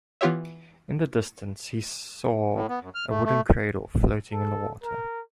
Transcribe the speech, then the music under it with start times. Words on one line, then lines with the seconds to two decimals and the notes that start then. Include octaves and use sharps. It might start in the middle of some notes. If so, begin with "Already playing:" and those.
In the distance he saw a wooden cradle floating on the water.
0.21 E3 B3 F4 G4 C#5 E5
2.54 A2
2.69 B3
2.81 F#2
2.95 F6
3.09 A3
3.25 A3
4.32 A4
4.83 A#4